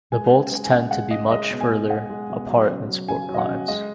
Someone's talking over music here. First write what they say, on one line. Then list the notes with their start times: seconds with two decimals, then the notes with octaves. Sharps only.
The bolts tend to be much farther apart than sport climbs.
0.12 G#3 G#5
0.32 C#3
0.51 G#3
0.65 G#5
0.72 C#3 F#5
0.91 G#3 F#5
1.11 C#3 D#5
1.31 G#3 D#5
1.50 B2
1.61 G#5
1.70 G#3
1.90 B2 F#5
2.10 G#3
2.30 B2
2.49 F#3
2.69 C#3
2.89 F#3
3.08 C#3 G#5
3.28 F#3
3.34 D#5
3.38 F#5
3.48 C#3
3.68 G#3 D#5